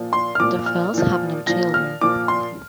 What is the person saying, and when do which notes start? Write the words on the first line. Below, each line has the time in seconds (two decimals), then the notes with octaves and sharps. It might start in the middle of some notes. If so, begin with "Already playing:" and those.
The Fells have no children.
Already playing: A#2 F3
0.13 C6
0.35 F6
0.40 A#2 F3 D6
0.66 F6
0.94 A#2 F3
1.47 A#2 F3 A#6
1.74 F6
2.01 A#2 F3 D6
2.28 C6